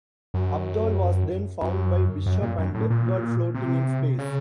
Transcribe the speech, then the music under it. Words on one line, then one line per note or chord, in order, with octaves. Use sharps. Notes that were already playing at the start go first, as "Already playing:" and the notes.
Abdol was then found by Bishop and Deathbird floating in space.
F#2
F#2
F#2
A#2
F#2
A2
A#2
C3
C#3